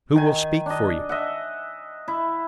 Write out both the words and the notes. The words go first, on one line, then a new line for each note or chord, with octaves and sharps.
"Who will speak for you?"
D#3 G#5
D4 D#5
D#5 E5 F#5
E4